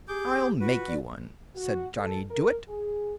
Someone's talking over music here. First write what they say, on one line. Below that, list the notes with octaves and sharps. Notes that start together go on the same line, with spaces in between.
"I'll make you one," said Johnny Dooit.
G4 G#4 D6 G6
F4 F#4 B4
D5
F#4
A4
A#4
G#4